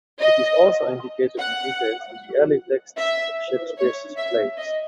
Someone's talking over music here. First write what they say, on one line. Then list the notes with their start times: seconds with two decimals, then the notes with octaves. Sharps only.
It is also indicated in details in the early texts of Shakespeare's plays.
0.20 D#5
1.39 F#5
2.98 E5
3.78 C#5
4.17 E5
4.57 D#5